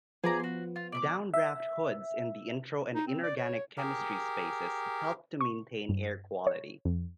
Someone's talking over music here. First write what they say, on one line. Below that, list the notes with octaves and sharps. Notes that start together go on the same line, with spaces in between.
Downdraft hoods in the intro and inorganic chemistry spaces help to maintain air quality.
F3 B3 G#4 D5 A#5
F#4 C6
F4
D5 E5 D6
E5
D#4
C4
D5
C#5
G4 G#4 A#4
C#6
G2
C#5
F2